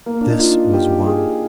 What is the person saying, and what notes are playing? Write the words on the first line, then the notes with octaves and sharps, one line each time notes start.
This was one.
A#3
D4
D#4
F4
G4
G#4